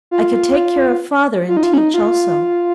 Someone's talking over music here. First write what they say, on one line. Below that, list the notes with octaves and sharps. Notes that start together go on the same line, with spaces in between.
I could take care of father and teach also.
F4
F4
D#4
F4
C#4
D#4
F4